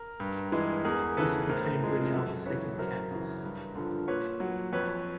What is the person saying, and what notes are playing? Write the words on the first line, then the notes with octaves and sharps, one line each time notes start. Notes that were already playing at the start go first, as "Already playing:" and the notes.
This became Brunel's second campus.
Already playing: A#4
G2
E3 G#3
E2 G#4 A#4
C#3 E3 A4 B4
A2 A#4 C5
F3 G#3
F#2 A4 B4
C#3 E3 B4 C#5
F#2 A#4 C5
C#3 E3
G2
D3 F3
A#2 B4 C#5
F#3
F2 B4 C#5